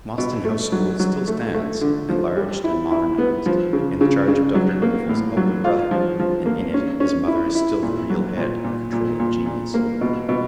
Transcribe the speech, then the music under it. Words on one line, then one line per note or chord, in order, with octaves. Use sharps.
Mostyn House School still stands, enlarged and modernized, in the charge of Dr. Grenfell's elder brother, and in it his mother is still the real head and controlling genius.
B2
A3
F#3
F#3
A3
A3
D3
F3
G3
E4
E4
B3
F3
C#3
C#3
C#3
F#3
A#3
A2
F#3
F4
F3
F3
A#3
C#4
C#4
E4
E4
A#2
F#3
A#2
A#2
A#2
A#2
A#2
A#3
B2
B2